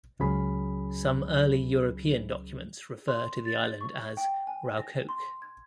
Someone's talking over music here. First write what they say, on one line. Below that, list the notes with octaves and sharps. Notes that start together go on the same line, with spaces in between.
Some early European documents refer to the island as "Raukoke".
C#2 F#3 C#4 G#4 B5
C6
A6
C#6
G5
G#5
A#6
C6
G#6